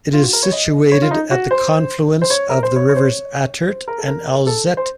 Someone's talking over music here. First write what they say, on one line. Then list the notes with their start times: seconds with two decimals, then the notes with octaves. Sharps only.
It is situated at the confluence of the rivers Attert and Alzette.
0.13 F4
0.23 F#4
0.33 A#4
0.43 C#5
0.52 D#5
0.92 C#5
1.02 F4
1.11 D#4
1.31 F#4
1.51 C5
2.22 C5
2.30 C#5
2.50 A#4
2.63 C5
2.76 C#5
2.89 C#5
2.96 C5
3.04 C#5
3.68 C5
3.88 A#4
3.98 A4
4.08 A#4
4.47 A4
4.77 C5